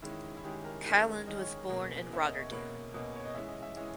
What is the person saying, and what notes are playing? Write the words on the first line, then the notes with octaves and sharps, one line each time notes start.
Caland was born in Rotterdam.
D#3 G#3 C#4 E4
E4
D#3 G#3 C#4 G4
A#4
D#3 G#3 C#4 A#4
D#3 G#3 C#4 D#5
C#5
B2 A#3 C#4 G#4
B2 A#3 C#4 E5
D#5
C#5
B2 A#3 C#4 B4
B2 A#3 C#4 D#5
C#5
D#5
E3 G#3 C#4 E5
D#5
E5
E3 G#3 C#4 D#5